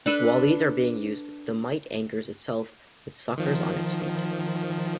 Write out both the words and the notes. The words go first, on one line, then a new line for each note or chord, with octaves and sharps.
While these are being used, the mite anchors itself with suckers on its feet.
D4 A4 B4
D#3 F3